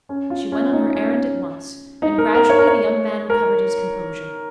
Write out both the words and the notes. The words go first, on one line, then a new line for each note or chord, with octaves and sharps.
She went on her errand at once, and gradually the young man recovered his composure.
C#4
F4
C#4
D#4
C#4
D#4
A#4
A#4
C#5
A#4
C#5
A#4